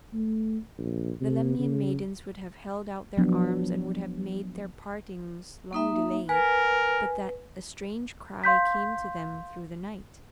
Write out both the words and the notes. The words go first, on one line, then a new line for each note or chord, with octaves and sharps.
The Lemnian maidens would have held out their arms and would have made their partings long delayed, but that a strange cry came to them through the night.
A3
A#1
C3
C#3
F3 F#3 B3 D4
A#3 D#4 E5
A#4 B4 G#5
F5 C6 G6 B6